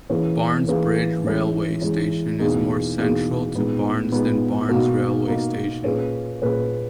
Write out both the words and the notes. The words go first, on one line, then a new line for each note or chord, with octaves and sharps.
Barnes Bridge railway station is more central to Barnes than Barnes railway station.
E3 A#3 C#4 G#4 B4
E3 A#3 C#4 G#4 B4
E3 G#3 C#4 E4
E3 G#3 C#4 E4
E2 B2 A#3 D#4 G#4
E2 B2 A#3 D#4 G#4
A#2 G#3 B3 D#4
A#2 G#3 B3 D#4
B2 A#3 D#4 F#4 A#4
B2 A#3 D#4 F#4 A#4
A#2 A#3 C#4 G#4 B4
A#2 A#3 C#4 G#4 B4